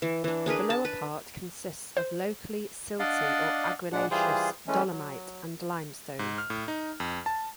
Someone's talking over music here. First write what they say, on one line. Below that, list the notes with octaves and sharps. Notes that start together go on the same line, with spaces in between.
The lower part consists of locally silty or argillaceous dolomite and limestone.
E3
E3 D4
D4 G#4 A#4 B4
A5
B4
C5
D4 D5 D#5 F5 F#5
A#2 G#3 D4 F#5
E3 G3 F4 G#4 C5
E3 G#3 A3 C#4
F#3
G#2
F6
A2
D#4
F2
A5